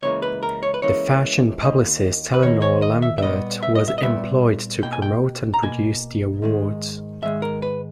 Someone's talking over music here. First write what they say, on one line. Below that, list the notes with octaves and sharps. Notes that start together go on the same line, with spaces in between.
The fashion publicist Eleanor Lambert was employed to promote and produce the awards.
C#2 C#3 E3 A#3 C#5
B4
A#4
C#5
B4
C#2 C#3 E3 A#3 C#5
D#2 D#3 A#3 D#5
B4
D#2 D#3 A#3 C#5
C#5
D#5
E5
E5
A#2 G3 B3 D#5
E5
D#5
E5
D#5
A#2 G3 B3 E5
B2 A#3 G5
G#5
G5
A#5
B2 A#3 G#5
G#2 D#3 G#3
G#2 D#3 G#3 E5
A#4
B4